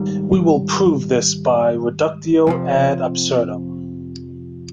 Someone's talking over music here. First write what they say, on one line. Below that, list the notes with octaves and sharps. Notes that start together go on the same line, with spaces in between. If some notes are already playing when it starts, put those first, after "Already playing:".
We will prove this by reductio ad absurdum.
Already playing: G#2 D#3 G3
F2 C3 F3